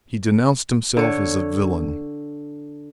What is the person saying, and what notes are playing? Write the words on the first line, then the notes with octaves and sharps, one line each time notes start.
He denounced himself as a villain.
D3 C#5